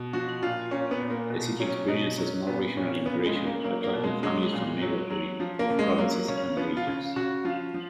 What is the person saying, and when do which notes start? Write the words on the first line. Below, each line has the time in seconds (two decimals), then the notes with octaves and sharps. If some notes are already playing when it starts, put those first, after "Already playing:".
The city experienced a small regional immigration, attracting families from neighboring provinces and regions.
Already playing: B2
0.13 F3 F#4
0.42 A#2 F4
0.71 A#2 C#4
0.91 B3
1.02 A#2
1.10 A#3
1.30 B2
1.60 F#3 C#4
1.88 B2 D#4
2.18 F#3 C#4
2.47 A#2 B3
2.77 A#2 C#4
3.06 C#3 B3
3.25 G#3
3.36 C#3
3.45 A#3
3.64 F#3 A#3
3.84 A#3
3.93 B2
4.04 G#3
4.23 F#3 G#3
4.52 A#2
4.82 F#3
5.10 F#3
5.40 F3
5.59 A#3
5.70 C#3
5.79 G#3
5.98 F#3 A#3
6.28 C#3 C#4
6.57 F3 B3
6.77 F4
6.87 C#3
7.16 C#3 F#4
7.45 F3 F4
7.74 F3